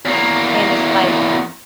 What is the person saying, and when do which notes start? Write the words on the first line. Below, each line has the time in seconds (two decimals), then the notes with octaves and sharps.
and it's, like,
0.05 E2 A#3